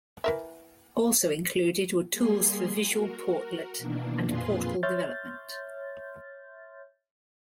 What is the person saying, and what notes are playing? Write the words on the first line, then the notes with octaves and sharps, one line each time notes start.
Also included were tools for visual portlet and portal development.
E3 A#4 E5
G3 A#3 G#4 C6
F#4 A#4
B2 D#3 E3 A#3 D4
F2 A#2 F4 G#4 B4 C6
C#5 E5 C6 F6 G6 A6